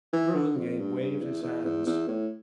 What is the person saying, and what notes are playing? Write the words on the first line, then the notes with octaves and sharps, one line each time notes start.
Burlingame waved his hands.
E3
D3
F2
G2
G2
E2
E2
E2
E2
A2